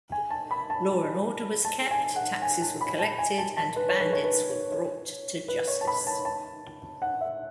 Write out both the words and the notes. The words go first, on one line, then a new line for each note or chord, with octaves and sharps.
Law and order was kept, taxes were collected and bandits were brought to justice.
G#5
A5
B5
A5
A5
G#5
F#5
G#5
A5
B5
A5
G#5
A5
A5
B4
C#5
B4
C#5
B4
C#5
B4
C#5
A5
B5
A5
A5
F#5
E5